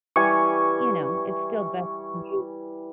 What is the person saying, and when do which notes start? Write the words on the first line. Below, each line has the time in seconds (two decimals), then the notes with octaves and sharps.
you know, it's still best that you
0.16 E3 G3 G#5 C#6